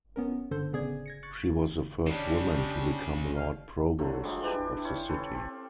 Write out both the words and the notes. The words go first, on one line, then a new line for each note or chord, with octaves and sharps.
She was the first woman to become Lord Provost of the city.
B3 C#4 A#4
G1 D3 A4 C5 G6
A1 C#3 B3 G#4 D5 G#6
G#6 A#6 C#7
C#6 F#6 G#6 A6 C#7
C#3 G3 G#3 D4 G4
E2 B2 F5
D3 F3 F#3 A3
F3 G3 G#3
E3 D4 G4 G#4
E4 C5 C#5 F5
C#4 A4 B4
C4